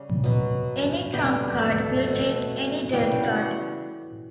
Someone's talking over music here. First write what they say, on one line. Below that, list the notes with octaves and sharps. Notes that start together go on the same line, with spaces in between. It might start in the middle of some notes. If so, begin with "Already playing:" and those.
Any trump card will take any dirt card.
Already playing: C#3 G3
B2 F#3 B3
D3 G3 B3 G4 G5
A4 A5
B2 A3
C#3 E3 G3 B3 G4 G5
F#4 F#5